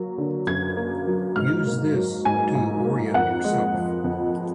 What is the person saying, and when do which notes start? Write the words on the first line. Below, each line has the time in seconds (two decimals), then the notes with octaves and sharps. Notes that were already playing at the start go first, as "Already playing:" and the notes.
Use this to orient yourself.
Already playing: F#3 A#3
0.18 D3
0.47 F#2 G#6
0.77 A#3
1.07 F#3
1.36 G#2 F6
1.67 A#3
1.96 F#3
2.25 G#2 G#5
2.55 G#2
2.85 A#3
3.14 F2 F#5
3.44 G#3
3.74 F3
4.04 F2